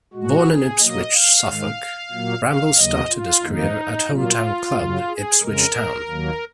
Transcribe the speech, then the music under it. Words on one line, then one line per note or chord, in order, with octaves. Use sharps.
Born in Ipswich, Suffolk, Bramble started his career at home town club Ipswich Town.
A#2 G#3 F#4
G#4
B2 F#3 A#3 D#5
F5
G#2 D#3 G#3
A#2 F#3 A#3
F5
D#2 C#3 F#3 A#3 D#5
F4
F2 D#3 A#3 D#4
A#2 F#3 A#3 F4
F#2 C#3 F#3
G#4
F2 C#3 G#3 A#4
D#2 D#3 F#3 A#3